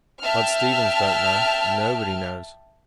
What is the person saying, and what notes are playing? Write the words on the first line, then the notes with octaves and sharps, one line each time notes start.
Bud Stevens don't know--nobody knows.
E5 G5 A5 F6